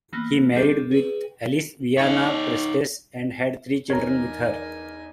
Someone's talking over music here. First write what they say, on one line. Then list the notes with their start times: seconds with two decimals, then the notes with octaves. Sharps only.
He married with Alice Viana Prestes, and had three children with her.
0.13 E3 A#3 B3
0.56 G3 C4 D4 G#4 A4
0.91 G#4 B4
1.98 D#4 C#5
3.90 E1 E2 D#4 A#4 C#5 G#5 A#5